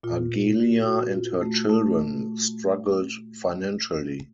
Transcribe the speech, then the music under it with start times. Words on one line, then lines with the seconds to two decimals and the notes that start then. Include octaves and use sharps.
Argelia and her children struggled financially.
0.03 A#2 F4
0.59 F#4
0.86 F#4
1.15 F4
1.41 A3
1.69 A3